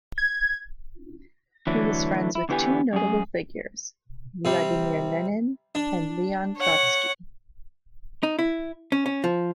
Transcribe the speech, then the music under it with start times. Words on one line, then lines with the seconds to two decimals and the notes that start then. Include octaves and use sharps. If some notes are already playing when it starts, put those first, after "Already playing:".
He was friends with two notable figures, Vladimir Lenin and Leon Trotsky.
0.18 G#6
1.67 D3 E3 F#3 A3
2.35 E4
2.49 E2 D3 E3 B3 G4 G#5
2.93 F#2 G#4
4.45 C3 G3
5.75 D4
6.57 C#5 F#5
8.23 D#4
8.39 E4
8.92 C#4
9.06 C#4
9.24 F3